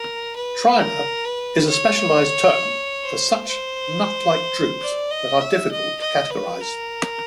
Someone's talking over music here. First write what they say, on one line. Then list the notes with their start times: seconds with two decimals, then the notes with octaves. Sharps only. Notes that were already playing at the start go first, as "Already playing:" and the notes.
Tryma is a specialized term for such nut-like drupes that are difficult to categorize.
Already playing: A#4
0.36 B4
0.80 A#4
1.25 B4
1.69 C#5
3.03 C5
3.48 C5
4.82 D5
5.11 D#5
5.41 E5
5.71 D#5
6.01 D#5
6.30 B4
6.60 A#4